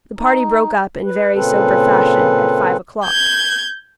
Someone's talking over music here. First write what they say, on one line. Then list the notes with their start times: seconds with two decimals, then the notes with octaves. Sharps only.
The party broke up in very sober fashion at five o'clock.
0.18 D#4
1.06 B4
1.35 A#2 C#3 C4 A4 B4
3.05 G6 G#6